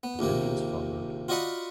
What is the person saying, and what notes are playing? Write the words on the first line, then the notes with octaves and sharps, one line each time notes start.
The Vengeance followed.
B3
A#1 D#2 C3 A#3
F4 F#4 D5 D#5 F#5 B5